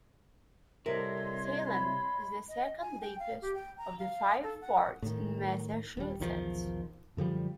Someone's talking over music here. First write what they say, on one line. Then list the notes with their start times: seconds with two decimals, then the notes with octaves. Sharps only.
Salem is the second deepest of the five ports in Massachusetts.
0.86 C2 C3 A4 A#4 C#5 D#5 C6
1.67 B5
2.49 D#5
2.81 G#5
3.01 G5
3.20 F5
3.42 G4
3.55 G5
3.78 A#5
3.99 F5
4.43 A4
4.62 F#5
5.02 A2 D#3
5.97 D#1 G3
6.20 B1 E2 D#3 F3
7.17 F#2 D3 F3 G3